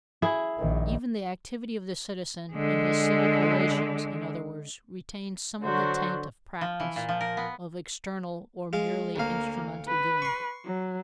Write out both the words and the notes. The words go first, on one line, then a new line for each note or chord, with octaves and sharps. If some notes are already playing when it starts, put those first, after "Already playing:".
Even the activity of the citizen in his civic relations, in other words, retains some of the taint of practice, of external or merely instrumental doing.
E4 G#4
A#1 D#3
D3 G#3
D3 F#3 F#4 C5
F3
E3
A#2
F3
A#4
B3
G#3 F4
D2 A#3 F5
B4
C6 C#6
F#3